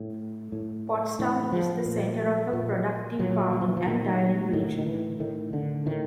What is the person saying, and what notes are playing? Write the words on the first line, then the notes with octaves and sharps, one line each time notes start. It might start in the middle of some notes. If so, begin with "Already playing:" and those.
Pottstown is the center of a productive farming and dairying region.
Already playing: A2
A2
A2 E3
F3
A#2
A#2
A#2 F#3
F#3
F3
E3
F3
A#2 D#3
A2 D#3
D#3
E3
A2 D#3
D3
A2 D#3